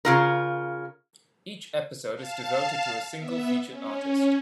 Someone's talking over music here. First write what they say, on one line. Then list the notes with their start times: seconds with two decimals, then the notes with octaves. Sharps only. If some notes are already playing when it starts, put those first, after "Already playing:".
Each episode is devoted to a single featured artist.
0.05 C#3 F4 A#4
2.14 F5 A5
3.16 B3 E5
3.69 C#4